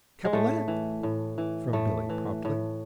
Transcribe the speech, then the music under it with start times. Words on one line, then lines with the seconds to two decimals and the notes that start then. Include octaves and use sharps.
"Capellette," from Billie promptly.
0.25 G#3
0.33 A2 A3
0.68 E3
1.03 A2
1.38 E3
1.73 A2 A3
2.09 E3
2.45 A2